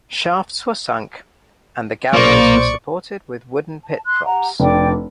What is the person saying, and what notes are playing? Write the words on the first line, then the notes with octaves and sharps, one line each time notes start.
Shafts were sunk, and the galleries were supported with wooden pit-props.
B1 A#2 A#3 C5 D5 C#6
A5
C6 F#6
G4 F#5 A#5
F1 D4 A4 D5 G5 D6